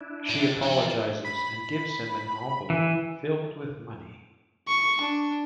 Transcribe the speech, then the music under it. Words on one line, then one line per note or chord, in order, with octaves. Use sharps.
She apologizes and gives him an envelope filled with money.
D4 E4
A2
F3 C4
E3 F4
B5
E3
C#6
D4